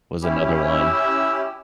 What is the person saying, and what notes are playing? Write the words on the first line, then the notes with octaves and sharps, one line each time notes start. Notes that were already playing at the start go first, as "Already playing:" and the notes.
was another one.
C#4 E4 G4
E6